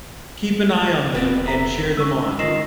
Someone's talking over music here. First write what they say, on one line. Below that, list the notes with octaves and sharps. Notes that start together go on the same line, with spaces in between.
Keep an eye on them and cheer them on.
E1 B3 C4
A4 E5 A#5 B6
G#3 C#4 C#6 E6
D#3 F4 A#6 C7 E7